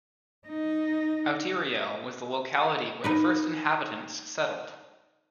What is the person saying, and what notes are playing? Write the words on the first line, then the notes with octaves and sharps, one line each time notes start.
Outeiro was the locality where the first inhabitants settled.
D#4
D#4 A#4 B4